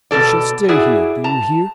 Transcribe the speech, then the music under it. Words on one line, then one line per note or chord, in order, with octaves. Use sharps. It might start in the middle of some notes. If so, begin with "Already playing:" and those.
You shall stay here, do you hear?
B2 E3 A4 D5
E4 F#4 G#4 D5
A5 A#5